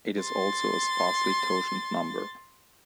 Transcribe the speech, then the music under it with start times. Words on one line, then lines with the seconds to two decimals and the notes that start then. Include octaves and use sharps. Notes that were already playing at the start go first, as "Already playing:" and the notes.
It is also a sparsely totient number.
0.22 C6 A6